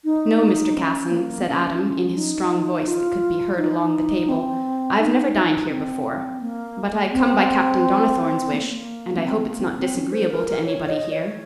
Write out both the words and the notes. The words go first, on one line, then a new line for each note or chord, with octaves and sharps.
"No, Mr. Casson," said Adam, in his strong voice, that could be heard along the table; "I've never dined here before, but I come by Captain Donnithorne's wish, and I hope it's not disagreeable to anybody here."
D#4
C#4
A#3
C4
C#4
D#4
F4
D#4
C4
D#4
C4
A#3
C4
A#3
A#3
C#4
C4
A#3
C4
C4
C#4
C5
A#4
A#4
C#5
D#5
C#5